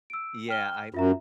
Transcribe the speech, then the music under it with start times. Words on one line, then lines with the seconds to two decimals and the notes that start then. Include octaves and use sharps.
Yeah, I
0.10 E6 D7
0.48 G5 F6 G7
0.94 F#2 F4 E5 A#5